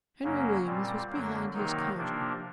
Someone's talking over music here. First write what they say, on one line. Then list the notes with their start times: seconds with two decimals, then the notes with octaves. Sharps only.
Henry Williams was behind his counter.
0.22 F#2 C#3 F#3 A#3 C#4
0.66 A#2 G3 C4
1.10 F#2 D3 F#3 A#3
1.54 C3 D#3 F#3 A#3 D#4
1.97 C3 F3 A#3 D4